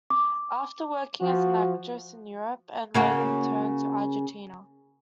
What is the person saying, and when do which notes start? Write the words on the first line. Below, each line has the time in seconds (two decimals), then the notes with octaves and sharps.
After working as actress in Europe, and later returned to Argentina.
0.10 D6
1.21 F3 F#4
2.94 C#3 A#3 F#4